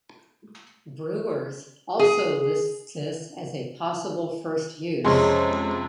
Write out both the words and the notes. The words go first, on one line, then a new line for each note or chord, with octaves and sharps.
"Brewer's" also lists this as a possible first use.
G#4
F2 C3 G#3 C#4 C6